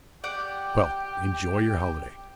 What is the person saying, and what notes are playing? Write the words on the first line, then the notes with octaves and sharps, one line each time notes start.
Well! enjoy your holiday.
G4 D5 F#5 G5 D6